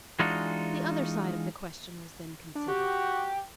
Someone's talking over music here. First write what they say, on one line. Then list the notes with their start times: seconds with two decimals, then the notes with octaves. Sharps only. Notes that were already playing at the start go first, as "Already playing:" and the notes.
The other side of the question was then considered.
0.19 E3 G#3 D4 D#4 F4 F#4
2.55 D4
2.68 F#4 G4